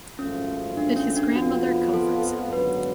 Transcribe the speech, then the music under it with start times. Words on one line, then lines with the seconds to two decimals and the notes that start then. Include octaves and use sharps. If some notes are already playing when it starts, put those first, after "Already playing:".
But his grandmother comforts him.
0.18 G#1 F#2 F3 A3 C#4 F4
0.77 D4
0.96 C#4
1.16 D4
1.35 F2 F3 B3 F4 F#4
1.94 A4
2.53 G#1 F#2 D3 F#3 B3 B4